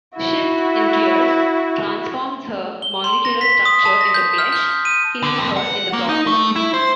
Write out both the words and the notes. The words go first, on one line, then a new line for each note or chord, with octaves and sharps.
Shift, in tears, transforms her molecular structure into flesh, killing her in the process.
E4 F#4
G7
C6
A#6
B6
D#6
A5
A#6
G6
F6
G6
D#7
D3
F2
F#5
A#3
D#4
A3
E4
C5